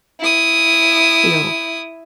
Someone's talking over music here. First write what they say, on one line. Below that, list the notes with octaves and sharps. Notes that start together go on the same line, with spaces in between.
you know,
E4 D#6